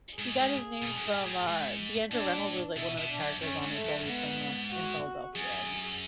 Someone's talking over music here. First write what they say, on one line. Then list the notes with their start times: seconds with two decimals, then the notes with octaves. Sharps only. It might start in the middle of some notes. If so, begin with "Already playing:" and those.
he got his name from, uh Deandra Reynolds was, like, one of the characters on It's Always Sunny o in Philadelphia, and
0.17 G#2 G#4
0.39 G#2
0.82 B2
0.97 F#2
1.05 G#2
1.26 A2
1.48 G#2
2.11 A2 D4
2.76 B2 E4
2.98 B2
3.09 D4
3.20 F#2
3.41 F#2 C#4
3.63 G#2
3.73 A3
3.85 F#2
4.05 G#2 B3
4.70 F#4
5.35 F#2 G#4